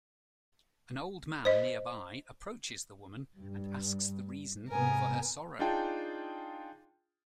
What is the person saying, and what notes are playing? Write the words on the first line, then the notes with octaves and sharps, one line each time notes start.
An old man nearby approaches the woman and asks the reason for her sorrow.
C5 D#5
G2
G#2 C3 B3 A#4 G#5
D4 D#4 F4 G#4 G5 A5